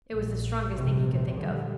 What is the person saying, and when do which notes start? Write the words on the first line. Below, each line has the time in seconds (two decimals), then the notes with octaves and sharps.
It was the strongest thing he could think of.
0.11 A#1
0.74 F1 A#1 C3 E3
1.37 F2 A#2 D3 G3